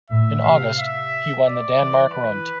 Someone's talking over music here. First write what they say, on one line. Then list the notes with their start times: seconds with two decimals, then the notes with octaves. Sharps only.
In August, he won the Danmark Rundt.
0.10 A2 E5
0.44 C3 F5
0.78 E5
1.46 D5
1.79 E3
2.13 B4